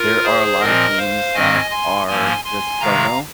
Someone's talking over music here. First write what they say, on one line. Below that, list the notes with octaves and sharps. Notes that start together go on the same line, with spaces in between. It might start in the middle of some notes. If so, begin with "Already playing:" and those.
there are a lot of games that are, just, FOMO,
Already playing: F4 A#4
G#4 C5
A#2 F3 C4 A#4 D#5
C5 F5
G#2 D#3 C4 D#5 G#5
G#5 C6
G#2 F3 A#3 G#5 C6
G#5 C6
C3 D#3 G#3 F5 A#5